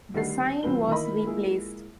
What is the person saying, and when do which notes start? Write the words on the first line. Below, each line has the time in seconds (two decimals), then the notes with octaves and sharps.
The sign was replaced.
0.14 D2 D#3 G3 A#4 F#5 C7
0.63 C2 E3 C4 F4 B4 G7
0.88 D#3 A#3 E4 A#4 D#5 B5
1.25 G#3 A#3 E4 F4 G#4